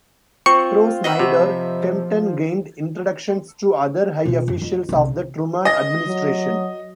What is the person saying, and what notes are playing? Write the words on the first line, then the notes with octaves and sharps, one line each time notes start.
Through Snyder, Kempton gained introductions to other high officials of the Truman administration.
C4 F4 C#6
F#4 D#5 E5 B5
C3
F3
B2 F4
F#2
F2
B1 C3
D#5 A#6
F#3